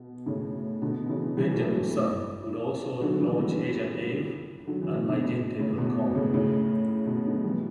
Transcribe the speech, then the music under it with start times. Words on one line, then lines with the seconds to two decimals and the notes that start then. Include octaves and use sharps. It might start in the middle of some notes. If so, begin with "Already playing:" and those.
Benjamin Sun would also launch AsianAve and MiGente dot com.
Already playing: B2
0.26 A2 C#3
0.82 B2 D3
1.08 C#3 E3
1.37 E3 G3
1.55 F#3 A3
3.02 D3 F#3
3.13 D3
3.20 C#3 E3
3.39 E3 G3
4.67 D3 F#3
4.81 C#3 E3
4.95 B2
5.08 B2 D3
5.22 A2 C#3
5.59 A2 C#3
5.78 B2
6.15 A2 C#3
6.33 A2 C#3
7.06 B2
7.25 D3 F#3
7.44 E3 G3